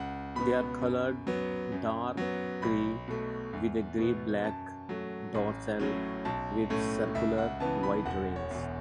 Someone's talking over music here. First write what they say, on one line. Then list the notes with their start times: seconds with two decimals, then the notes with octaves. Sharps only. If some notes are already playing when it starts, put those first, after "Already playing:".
They are coloured dark gray, with a gray-black dorsal with circular white rings.
Already playing: C#2 F#5
0.36 B2 B3 B5
0.81 F#2
1.27 F#3 B3
1.72 F#2
2.17 F#3 B3
2.62 B1 B5
3.08 B2 A3
3.53 E2
3.98 B2 B3
4.44 F#2 A5
4.89 F#3 A3
5.35 A1
5.79 A2 F#3 C#4
6.25 B1 A5
6.70 A2 A3 C#4
7.15 C#2 E5
7.38 F#5
7.60 C#3 E3 B3 A5
7.83 B5
8.05 E1 F#5
8.36 C#5
8.51 E2 B2